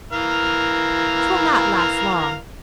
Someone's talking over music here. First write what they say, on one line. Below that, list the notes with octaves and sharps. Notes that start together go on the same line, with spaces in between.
'Twill not last long.
E3 A#4 F5